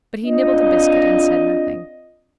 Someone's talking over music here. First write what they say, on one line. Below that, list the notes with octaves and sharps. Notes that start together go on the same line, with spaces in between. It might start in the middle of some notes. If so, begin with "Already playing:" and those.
But he nibbled a biscuit, and said nothing.
C4 D4 F4 D#5